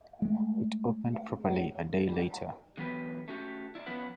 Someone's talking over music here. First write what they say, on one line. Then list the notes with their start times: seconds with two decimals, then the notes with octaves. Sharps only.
It opened properly a day later.
0.22 G#3 A3
2.77 D3 E3 F#3 B3 G4 B4
3.28 A3 C#4 F#4 G4
3.75 E4 D5
3.86 F3 B3 C#4 E4 B4 F#5